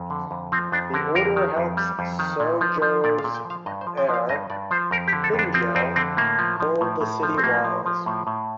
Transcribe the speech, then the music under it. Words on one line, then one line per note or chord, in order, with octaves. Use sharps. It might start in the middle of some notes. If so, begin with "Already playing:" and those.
The Order helps Shojo's heir, Hinjo, hold the city walls.
Already playing: F2
D3
F2
F3 C4
F2 D4
D3 A#4
F2 A#4
D#3
F2
G3
F2
D#3
A#2
F3
F3
A#2 D5
F5
A#2
G5
F3
F5
G2 D#5
C5
F3
G5
F3
F5
G2 D#5
G2 D5
F3 C5
F2 A#4
G4
D3
A4
F2
D4
F3 C4
F2 C4
D3 C4
A2 A#3
F3
F3
A2
A2
F3
C4
A2 A#3
F3
F3
A2
A2